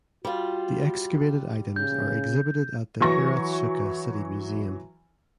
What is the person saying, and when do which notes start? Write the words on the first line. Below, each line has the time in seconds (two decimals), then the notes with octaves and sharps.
The excavated items are exhibited at the Hiratsuka City Museum.
0.25 G3 F4 F#4
1.76 C#3 G6
3.00 E3 F#3 C#6 A#6